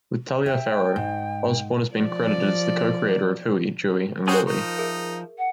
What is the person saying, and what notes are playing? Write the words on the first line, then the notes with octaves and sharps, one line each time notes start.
With Taliaferro, Osborne has been credited as the co-creator of Huey, Dewey and Louie.
E5 G5
G#2
F3 D5
F#3 C#4 F#4 G#4 C5 G5
F3 D#4 A#4 C#6
G#4 A#4 E5
F#5